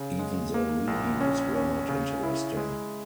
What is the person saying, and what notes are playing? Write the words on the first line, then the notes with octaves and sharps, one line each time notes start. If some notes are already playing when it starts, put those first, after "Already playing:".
Even the reviews were not interesting.
Already playing: C#3
G#3
A#3
A#1
C#4
C#4
C#3
E4
G#3